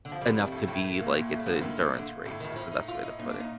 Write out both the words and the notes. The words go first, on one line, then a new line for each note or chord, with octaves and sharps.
enough to be like it's a endurance race, is the best way to put it,
D3
F3
D3 G3
C3 D#3
A2
A2 G3
A3
A#2 A#3
A#2
A#2 A3
G3
D3 F3
A2
A#2 D#3
D3
A2 D3
D#3
A2
D#3
A2 F3
D#4
F4
D#4
A#2 D#4
D4
A#2 D#4